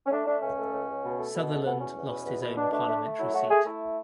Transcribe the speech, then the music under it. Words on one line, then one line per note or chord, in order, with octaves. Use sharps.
Sutherland lost his own parliamentary seat.
C#4
A3 D4
A3 D4
C#2 C#4
A3
C#2
C#2
B2
A3
B2
A3
B2 B3
E2 C#4
E2
B2
E2
B2
B2 D4
A3 D4
A3
A3
F#3 E4
A3 F#4
A3 G#4
A3 E4